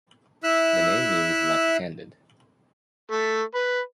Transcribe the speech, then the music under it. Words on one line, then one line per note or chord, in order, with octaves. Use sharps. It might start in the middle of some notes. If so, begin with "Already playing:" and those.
The name means "left-handed".
E4 E5 E6 F#6
A3
B4